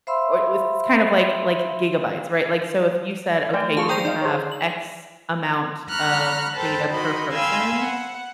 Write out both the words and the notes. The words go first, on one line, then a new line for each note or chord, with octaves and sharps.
Or it was kind of like like gigabytes, right? Like, so if you said, okay, you can have X amount of data per person,
C5 E5 F5 B5 C6 E6
A3 D5 G5 G#5
F4 G#4 A5 C#6
C5 G5 A#5 D#6 G6 F7
D#4 D5 F5
G#4 C5 C#5
F#7
A#5 B5 C#6 F6 F#6
A4 A#4 C5 G5 A5 B5
D#4 F#4 A#4 D#5 B5 C6
F5 G5 G#5 B5 C6 E6
F#5